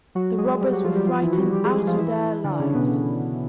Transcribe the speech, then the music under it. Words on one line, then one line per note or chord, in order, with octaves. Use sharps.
The robbers were frightened out of their lives.
F#3 F#4
G#3 G#4
G3 G4
F#3 F#4
F3 F4
G3 G4
F3 F4
E3 E4
F#4
G3 G4
G3 G4
G#3 G#4
G#3 G#4
F3 F4
E3 E4
D3 D4
C#3 C#4
B2 B3